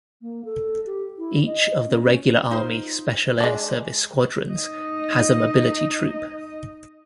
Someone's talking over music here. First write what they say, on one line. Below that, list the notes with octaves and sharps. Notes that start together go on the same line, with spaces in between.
Each of the regular army Special Air Service squadrons has a Mobility troop.
A#3
A4
G4
E4
D#5
C#4
C#4
D#4 F4 C5
G#3 D4
D#4 D#5